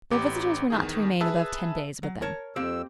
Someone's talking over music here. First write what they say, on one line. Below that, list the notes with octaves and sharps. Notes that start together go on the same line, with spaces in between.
Their visitors were not to remain above ten days with them.
A1 G4 D6
E2 D#3 G#4
G#4 B4 E5 A5 E6
F#3
A#4 C#5 A5
F2 A#3 C4 G4 E6